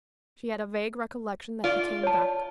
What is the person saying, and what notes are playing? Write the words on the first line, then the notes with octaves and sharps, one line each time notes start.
She had a vague recollection that he came back.
F4 D5
C#5 A5